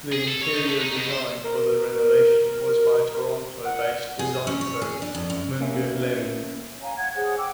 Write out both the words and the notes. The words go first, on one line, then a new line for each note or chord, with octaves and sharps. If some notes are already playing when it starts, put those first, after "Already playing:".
The interior design for the renovation was by Toronto-based design firm, Munge Leung.
G#4
A4
C#5
D#4
A3
D#4
B2
C5
A#4
F#5
G#4
C#4
C#5
G#4
D4
F2
F#2
A#3 C#4 E5
C#5 F5 G#5 A#5
F#5 G#6
G#4 C5 C#5 F#5
G5 D6 E6